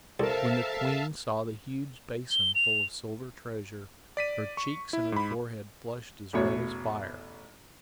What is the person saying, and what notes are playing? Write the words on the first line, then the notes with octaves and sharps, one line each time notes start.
When the queen saw the huge basin full of silver treasure, her cheeks and her forehead flushed as red as fire.
C2 A4 A#4 C5 E5 F5 A5
G7
F7
D5 B6 D#7
C#6
E4
G#2 B5
A1 E2 B2 C#5